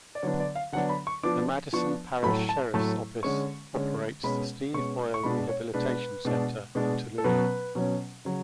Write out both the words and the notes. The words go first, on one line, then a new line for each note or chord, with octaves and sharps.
The Madison Parish Sheriff's office operates the Steve Hoyle Rehabilitation Center in Tallulah.
D5
D3 F#3 B3 D4 C#5
D5
F5
D3 F#3 B3 D4 F#5
B5
C#6
F3 B3 D4 D6
F3 B3 D4 C#6
A2 F#3 A3 B5
A5
A2 F#3 A3 A5
D3 G#3 C#4 C#6
D3 G#3 C#4
B2 G#3 C#4 B5
B2 G#3 C#4 C#6
C#6
B2 G#3 D4 B5
C#5
B2 G#3 D4 B4
B2 G#3 D4
B2 G#3 D4
A4
B2 F#3 C#4 B4
B2 F#3 C#4
C#3 F#3